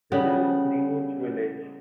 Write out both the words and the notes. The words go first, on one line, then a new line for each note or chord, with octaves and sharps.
They live in Greenwich Village.
C#3 G3 B3